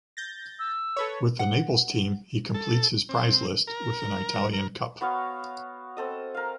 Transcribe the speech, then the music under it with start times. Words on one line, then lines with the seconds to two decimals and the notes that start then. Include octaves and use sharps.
With the Naples team, he completes his prize list with an Italian Cup.
0.17 G6 A6 A#6
0.59 E6
0.96 A4 B4 C#5
1.39 F#5
2.54 A4
3.09 C4
3.67 A#4
4.53 A#4
5.01 B3 F#4 C#5 F5
5.97 C4 A4 D#5
6.34 A#4 F5